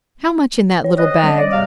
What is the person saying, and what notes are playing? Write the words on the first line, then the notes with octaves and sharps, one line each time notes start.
"How much in that little bag?"
C#5
C5 C#5 D#5 F#6
G3
D5
E2 G#2 C3 F5